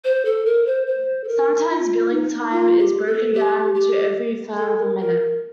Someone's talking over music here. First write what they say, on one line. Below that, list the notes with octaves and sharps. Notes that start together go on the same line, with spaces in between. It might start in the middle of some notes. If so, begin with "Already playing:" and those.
Sometimes billing time is broken down to every third of a minute.
C5
A4
A#4
C5
C5
A4
A#4
F4
D#4
F4
G4
A4
G4
G4
A4
A#4
A#4